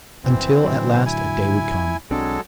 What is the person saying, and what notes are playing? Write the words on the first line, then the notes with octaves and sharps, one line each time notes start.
Until at last a day would come....
F#1 E3 C4
A2 D3 F#3
E4 G#5
B1 F#3 G#3 C4 D4 A4